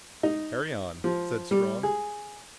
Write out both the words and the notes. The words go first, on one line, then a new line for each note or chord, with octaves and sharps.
"Carry on," said Strong.
D#4
F3
G3
G#4